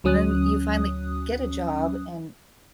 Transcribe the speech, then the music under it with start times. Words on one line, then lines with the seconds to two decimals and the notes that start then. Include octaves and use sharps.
and then you finally get a job, and
0.04 D2 F#3 C#4 D#6 F#6